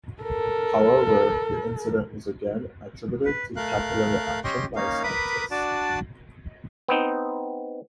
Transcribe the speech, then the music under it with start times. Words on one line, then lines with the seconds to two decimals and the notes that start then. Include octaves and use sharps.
However, the incident was again attributed to capillary action by scientists.
0.22 A4 A#4
3.25 B4
3.56 A3 A#4 F5 F#6
4.44 C#4 G4 D#5 G5 C6
4.76 A#3 C#4 D#4 F5
5.03 A#4 B4 B5 D6 D#6
5.51 D4 F#4 D5 A5
6.88 B3 C4 D#4